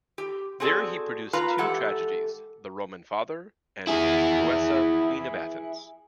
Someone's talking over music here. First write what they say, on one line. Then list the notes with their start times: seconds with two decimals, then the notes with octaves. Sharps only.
There he produced two tragedies: "The Roman Father" and "Creusa, Queen of Athens".
0.18 G4
0.60 C4 F#4 G#4 A4 D5
1.33 A#2 B3 F4 B4 A#5
1.58 G#2 E3 G4 A4 F#5
3.87 E4 G#4